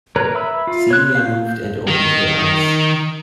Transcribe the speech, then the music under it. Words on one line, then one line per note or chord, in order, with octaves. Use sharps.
Celia moved and opened her eyes.
A#4 B4 C#5 A#5
E5 B5 E6
F4
C#5 F#6
F5 G6
D#3